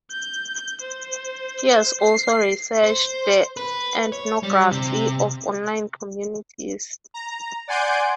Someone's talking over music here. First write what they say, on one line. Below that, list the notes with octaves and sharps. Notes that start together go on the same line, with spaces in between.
She has also researched the ethnography of online communities.
G6
C5
C7
C5
B4
C#5
G3
C3
A#5
D5 F#5 G#5 C6 G6 D7